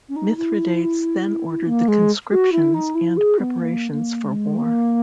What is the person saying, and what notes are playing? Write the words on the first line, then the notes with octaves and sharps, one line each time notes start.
Mithridates then ordered the conscriptions and preparations for war.
C#4
D#4
E4
A#3
G#3
F#4
E4
D#4
E4
G#4
B3
A#3
A#3
G#3
A#3